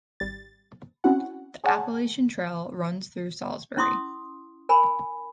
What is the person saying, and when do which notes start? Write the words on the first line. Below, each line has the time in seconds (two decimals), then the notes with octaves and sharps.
The Appalachian Trail runs through Salisbury.
0.20 G#1 G3 A6
1.04 C4 C#4 E4 F#4 F#5
1.64 G#4 C#5 D5 F#5 G#5 A5
3.77 C#4 E4 C6 D6 D#6
4.69 A#4 G#5 B5